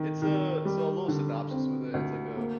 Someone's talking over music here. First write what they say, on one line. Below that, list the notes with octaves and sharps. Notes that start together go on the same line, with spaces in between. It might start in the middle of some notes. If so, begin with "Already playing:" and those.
It's a so, a little synopsis with it, it's like a
Already playing: D#3
D#3
G3
D3
C4
D2
A#3